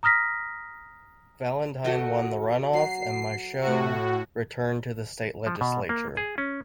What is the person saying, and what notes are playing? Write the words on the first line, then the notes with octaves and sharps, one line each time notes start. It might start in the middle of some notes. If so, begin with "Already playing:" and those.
Valentine won the runoff, and Michaux returned to the state legislature.
A#5 D#6 F6 A#6 B6
A3 F#4 D#5
F#3 C7
A2 F#4
F3
B2
A#3
G#4
C#4